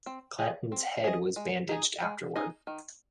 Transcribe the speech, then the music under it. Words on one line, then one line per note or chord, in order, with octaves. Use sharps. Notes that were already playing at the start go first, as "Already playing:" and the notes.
Clanton's head was bandaged afterward.
C4
G#4 D#5
C4
G#4 D#5
G#3
D#4 G#4 D#5
G#3
D#4 G#4 D#5
D#3